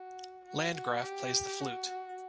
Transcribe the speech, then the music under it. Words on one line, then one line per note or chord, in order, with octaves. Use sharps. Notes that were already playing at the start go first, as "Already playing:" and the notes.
Landgraf plays the flute.
Already playing: F#4
F#4
F#4
G4
F#4